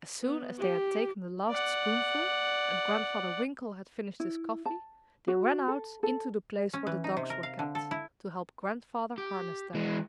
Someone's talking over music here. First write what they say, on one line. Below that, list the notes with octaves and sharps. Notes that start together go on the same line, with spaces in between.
As soon as they had taken the last spoonful, and Grandfather Winkle had finished his coffee, they ran out into the place where the dogs were kept, to help Grandfather harness them.
B3
G4
D5 F#5
E4
A5
F#4
A4
A4
C#4
E3
D#4
C3
A#4
F5
D3
A4
E4
G4
E3 G#3